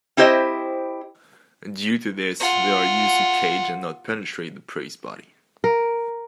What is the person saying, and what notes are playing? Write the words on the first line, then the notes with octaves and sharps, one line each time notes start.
Due to this they are used to cage and not penetrate the prey's body.
C4 E4 G4 C5 D#5
F4 F#5
A#4